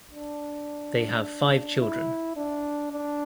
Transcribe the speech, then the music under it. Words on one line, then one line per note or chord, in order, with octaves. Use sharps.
They have five children.
D4
E4
D4
D4